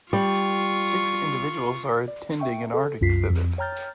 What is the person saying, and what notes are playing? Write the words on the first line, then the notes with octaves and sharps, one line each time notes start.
Six individuals are attending an art exhibit.
G3 F4 C#6
D5
E5 G5 C#6
A4
C2 F#2 F4 B6 C7
F2
C#5 G5 A#5 F6 G6 A6